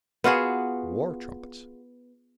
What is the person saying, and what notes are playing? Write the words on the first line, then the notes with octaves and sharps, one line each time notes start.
War trumpets!
B3 F4 F#4 G#4